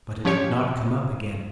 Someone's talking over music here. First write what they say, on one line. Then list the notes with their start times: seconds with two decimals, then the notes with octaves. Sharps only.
But it did not come up again.
0.25 F3 C#4 G4 C#5 C#7